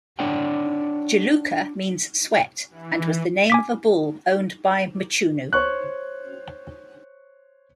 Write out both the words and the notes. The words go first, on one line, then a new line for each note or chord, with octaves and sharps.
Juluka means "sweat", and was the name of a bull owned by Mchunu.
D4 C#5 D5 F#5 G5
E3
G#5 D6 B6
C5 C#5 C#6 F#6